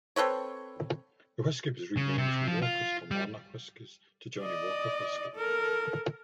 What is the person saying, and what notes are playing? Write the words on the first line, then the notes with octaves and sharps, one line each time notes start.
The whisky was renamed from Walker's Kilmarnock Whiskies to Johnnie Walker Whisky.
C4 A4 B4 C#5
C#3
C3
F3
F4
G3
D5 D#5
A4 A#4